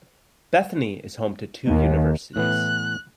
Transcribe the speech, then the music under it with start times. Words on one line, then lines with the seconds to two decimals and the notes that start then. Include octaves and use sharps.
Bethany is home to two universities.
1.68 D#2
2.36 A2 E3 B3 F#6